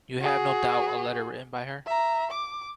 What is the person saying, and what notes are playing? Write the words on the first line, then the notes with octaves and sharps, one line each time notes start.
You have, no doubt, a letter written by her?
F#4 G#4
E5 A#5
D6